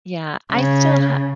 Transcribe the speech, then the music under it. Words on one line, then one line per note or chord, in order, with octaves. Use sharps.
Yeah. I still ha
C#3